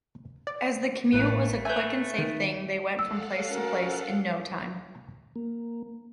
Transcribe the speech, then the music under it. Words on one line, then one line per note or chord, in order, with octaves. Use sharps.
As the commute was a quick and safe thing, they went from place to place in no time.
D5
A1 A2 A3 A#3 B4
A3 B4 E5 G#5 G6
D#3
A4 F5 F#5 E6
C#4 F#4 A#4
A#3